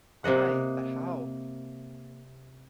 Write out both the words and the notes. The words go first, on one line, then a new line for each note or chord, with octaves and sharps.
Ay, but how?
C3 A#3 D#5 F#5